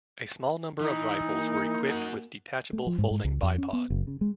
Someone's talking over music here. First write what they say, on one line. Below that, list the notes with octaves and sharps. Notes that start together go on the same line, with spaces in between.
A small number of rifles were equipped with detachable folding bipod.
E3 D#4
A#3
F#4 A#4 F#5
A3
F3
G#2
G#2
C#2
F2
C#4
B3
F#1
C#3
G#3